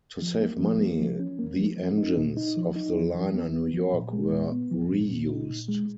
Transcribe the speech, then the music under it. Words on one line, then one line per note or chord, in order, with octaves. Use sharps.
To save money, the engines of the liner "New York" were reused.
F3
A#3
F3
A#3
F3
C#4
A#3
F3
F3
D#4
A#2
D#4
F3
D#4
F3
F3
B3
B3
F3
A#2
G#3
A#2
B3
F3
A#2
A#2
D#4
A#2
G#3